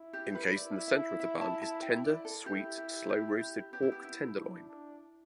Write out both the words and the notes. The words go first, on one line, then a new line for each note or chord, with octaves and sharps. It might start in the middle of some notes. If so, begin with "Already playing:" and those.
Encased in the center of the bun is tender, sweet, slow-roasted pork tenderloin.
Already playing: E4
G4
B4
E4 D5
E5
E5
A5
A5
G5
D5
A4
E4 G4
G4
G4
G4
B3 G4
E4
G4
E4
D4
D4